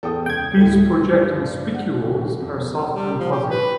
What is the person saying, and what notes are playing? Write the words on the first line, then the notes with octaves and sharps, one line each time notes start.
These projecting spicules are soft and fuzzy.
E2 A4 G5 D#6
C#2 G5 G#6
D2 A2
G2
F#5
D#1
F2
E1
G3
F3
G4
B4